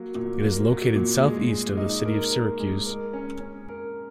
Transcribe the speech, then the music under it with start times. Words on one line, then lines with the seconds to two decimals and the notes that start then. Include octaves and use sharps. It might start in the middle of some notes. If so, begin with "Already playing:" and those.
It is located southeast of the city of Syracuse.
Already playing: F#3 A#3
0.15 A#2
0.42 A#3
0.68 F#3
0.96 A#2
1.23 G#3
1.50 G#3
1.77 D#4
2.05 A#4
2.32 A#4
2.60 G#3
2.86 A#4
3.13 C#4
3.41 C#4
3.69 A#4